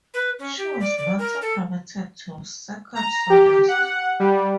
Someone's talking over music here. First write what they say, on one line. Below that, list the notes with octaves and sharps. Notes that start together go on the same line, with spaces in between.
She was later promoted to second soloist.
B4
C#4
G4
D5
D5
A#4
A4
A#5
G4
F#5
G3